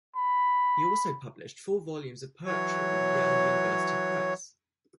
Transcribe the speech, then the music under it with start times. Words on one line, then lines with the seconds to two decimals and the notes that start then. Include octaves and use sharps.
He also published four volumes of poetry with the Yale University Press.
0.16 B5
2.46 E3 F#3 C#5